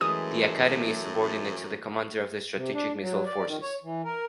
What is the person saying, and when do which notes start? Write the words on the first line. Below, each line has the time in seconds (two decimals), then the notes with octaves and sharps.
The academy is subordinate to the Commander of the Strategic Missile Forces.
0.01 F#2 E3 G#3 A3 D#6
2.55 C3
2.73 D4
3.00 F#3
3.26 D5
3.47 D#3
3.62 C#5
3.83 E3
4.05 A#4